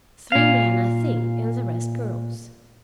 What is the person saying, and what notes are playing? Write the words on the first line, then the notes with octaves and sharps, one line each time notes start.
Three men, I think, and the rest girls.
A#2 F5